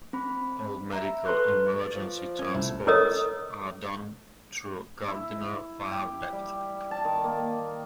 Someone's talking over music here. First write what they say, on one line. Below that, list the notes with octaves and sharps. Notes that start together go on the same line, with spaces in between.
All medical emergency transports are done through Gardiner Fire Dept.
C4 B5
E5 A#5
A4 B4 C6 C#6 F#6
D5
F3
C#4
C2 A3 E4
E4 A4 A#4 C#5 D#5 D#6
E4
G4
G3
A5
D#3
A#3